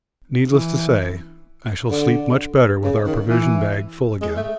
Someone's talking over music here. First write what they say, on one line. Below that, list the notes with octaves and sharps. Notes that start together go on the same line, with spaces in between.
Needless to say I shall sleep much better with our provision bag full again.
E3
D3
C#3
D#3
E3
G#3
A3